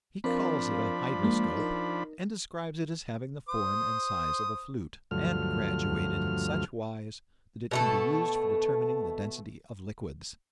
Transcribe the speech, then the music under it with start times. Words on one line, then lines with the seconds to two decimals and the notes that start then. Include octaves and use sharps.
He calls it a hydroscope and describes it as having the form and size of a flute, and graduated in such wise that it can be used for determining the density of liquids.
0.24 F3 C4 D4 A#4 F5 B5
1.23 G#3 A#3
1.57 D#4 A#4
3.49 C5 D#6
5.11 D2 G2 F3 F#3 A3 F6
7.71 B2 A3 A4